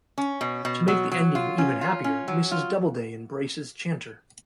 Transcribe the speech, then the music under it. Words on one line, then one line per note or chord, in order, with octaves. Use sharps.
To make the ending even happier, Mrs. Doubleday embraces Chanter.
C#4
B2
B2
F#3
F#3
F4
C#4
F4
C#4
F#3
F4